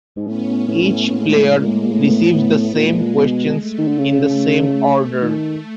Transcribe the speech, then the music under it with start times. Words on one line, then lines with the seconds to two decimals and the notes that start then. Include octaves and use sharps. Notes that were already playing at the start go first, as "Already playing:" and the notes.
Each player receives the same questions in the same order.
0.16 G#2
0.26 A2 B3 C#4
0.68 A2 A3
1.09 A2 G#3 A#3
1.51 A2
1.59 A#2
1.68 A2
1.86 A#2
1.91 A2 A3 B3
2.33 A2
2.74 A#2 G#3
3.16 B2
3.57 A3
3.78 D#3
3.88 D3
3.98 C#3 A3
4.81 A3
5.22 D#3